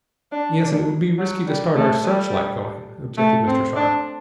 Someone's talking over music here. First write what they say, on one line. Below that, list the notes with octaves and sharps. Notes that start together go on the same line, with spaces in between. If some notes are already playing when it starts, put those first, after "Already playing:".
"Yes, and it would be risky to start our searchlight going," objected Mr. Sharp.
D4
D4
F#3
G3
A3
G3
A3
C4
D4